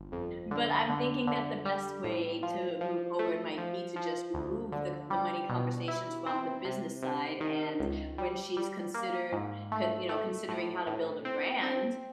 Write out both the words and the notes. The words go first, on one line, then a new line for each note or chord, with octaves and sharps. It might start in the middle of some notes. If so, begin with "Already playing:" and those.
but I'm thinking that the best way to move forward might be to just remove the c the money conversations from the business side and when she's considered c you know, considering how to build a brand,
Already playing: G1
F2
D3
D3
D3
G3
A2
F3
F3
A3
F3
F3
D2
D3
G3
B2
E4
C4
C3
C3
D#3
C#2
G3
G3
A#3
G#2
A3
A3
A2
A2
C4
C4